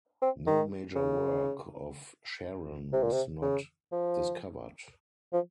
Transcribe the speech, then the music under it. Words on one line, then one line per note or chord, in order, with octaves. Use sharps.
No major work of Sharan was not discovered.
C4
D#3
C#3
C3
A#2
C3
C#3
F3
F3